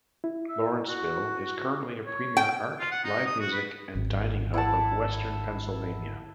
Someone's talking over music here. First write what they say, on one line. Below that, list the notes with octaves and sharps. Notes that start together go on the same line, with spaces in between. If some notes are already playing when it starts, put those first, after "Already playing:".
Lawrenceville is currently a premier art, live music, and dining hub of Western Pennsylvania.
E4
E5
F#4
C#5
G5
F4
F#5
D#4
D#6
F#4
B4
G#1
E4 F#5 A5